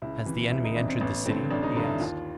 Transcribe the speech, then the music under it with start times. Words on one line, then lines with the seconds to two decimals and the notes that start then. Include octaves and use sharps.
"Has the enemy entered the city?" he asked.
0.02 C#2 E4
0.26 C3 E3
0.51 C#2 E4
0.64 D#4
0.76 C3 E3 D4
0.88 C4
1.01 A1 B3
1.26 G2 D3 C4
1.51 A1 D4
1.63 D#4
1.75 G2 D3 D#4
1.87 E4
2.00 D#2 F4